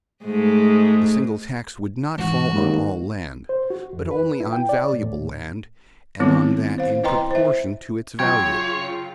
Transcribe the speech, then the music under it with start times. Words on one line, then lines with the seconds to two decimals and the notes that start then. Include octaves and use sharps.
The single tax would not fall on all land, but only on valuable land, and on that in proportion to its value.
0.24 G#2 G#3 A3
2.18 G#2 E3 F#4
2.53 D#2 G#3
3.49 C5
3.70 F#4
3.93 F2
4.11 B4
4.40 E4
4.52 G5
4.69 D5
4.93 A2
6.20 D#3 G3 B3 C4 E4
6.78 C5 F5
7.04 E4 B4 D#5 G5 A#5 C6
7.31 C5 E5
8.19 F#2 C#3 F#3 F4 C#5 G5 G#6